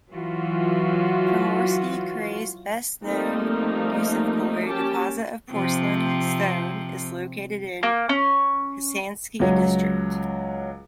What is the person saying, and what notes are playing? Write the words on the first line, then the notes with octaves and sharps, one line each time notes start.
Primorsky krai's best-known Gusevskoye deposit of porcelain stone is located in Khasansky District.
E3 F#3 F4 F#4
F3 G3 A3 A#3 C4 D#4
A#3 C#4 G4 A5
C3 F3 C4
A#3
C#4
C#2 F#3